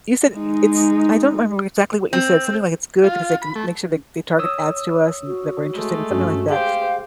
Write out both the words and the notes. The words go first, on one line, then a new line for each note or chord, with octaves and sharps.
you said it's I don't remember exactly what you said, something like it's good because they can make sure, like, they target ads to us and that we're interested in something like that.
G#3 D#4
C4
F4
B5
A3
C#5 D#6 E6
F#4
G#3 A3
G2 C#4 F#4
G4 G#4 C5 F5